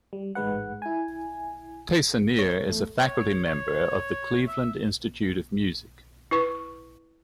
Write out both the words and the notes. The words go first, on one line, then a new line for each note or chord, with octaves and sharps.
Teissonniere is a faculty member of the Cleveland Institute of Music.
G3
A1 G#2 G#3 B4 F#5
E4 G#5
C#5
A1 E2 A3
C#5
C#5
E5
E4 B4 C#6